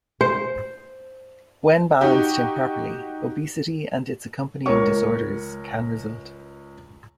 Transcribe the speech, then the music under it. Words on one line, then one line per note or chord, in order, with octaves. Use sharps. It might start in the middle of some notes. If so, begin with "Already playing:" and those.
When balanced improperly, obesity and its accompanying disorders can result.
C5
D#4 F#4 G4
C#2 A#4 C#5 C#6